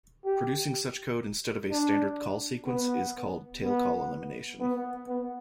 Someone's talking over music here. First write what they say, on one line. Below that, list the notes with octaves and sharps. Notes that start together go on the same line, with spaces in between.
Producing such code instead of a standard call sequence is called tail call elimination.
G4
D4
B3
B3
B3
B3